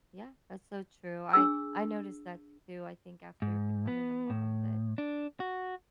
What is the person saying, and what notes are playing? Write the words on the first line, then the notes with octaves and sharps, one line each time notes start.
Yeah, that's so true, I I noticed that too, I think after becoming a mom, that
D4 G#4 E6
G#2
B3
A2
D4
F#4